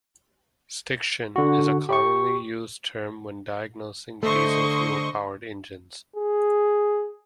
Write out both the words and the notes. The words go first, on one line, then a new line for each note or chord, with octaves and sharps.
Stiction is a commonly used term when diagnosing diesel fuel powered engines.
D3 F#4
G4 C#6
D3 A3 C5 D#5 C#6
G#4